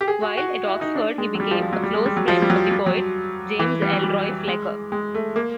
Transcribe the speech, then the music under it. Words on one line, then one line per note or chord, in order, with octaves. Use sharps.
While at Oxford he became a close friend of the poet James Elroy Flecker.
G4
G#4
F#4
F#4
E4
D#4
D4
G#3
F#3
G3
F3
F3
F#3
G3
G#3
G3
F#3
F3
G3
F#3
G3
F#3
E3
G3
F#3
G3
G#3
G#3
A3
A#3